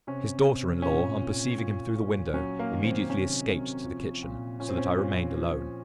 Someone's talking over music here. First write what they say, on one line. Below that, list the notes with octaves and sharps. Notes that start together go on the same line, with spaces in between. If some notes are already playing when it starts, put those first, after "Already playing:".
His daughter-in-law, on perceiving him through the window, immediately escaped to the kitchen, so that I remained alone.
C3 C#4
C3
A#2 C#4
A#2
A#2
A#2
F#3 C#4
A#3
D#3
C4
C3 C#4
C3
F3
A#2
A#2 C#4
C4
C#4
A#2
F3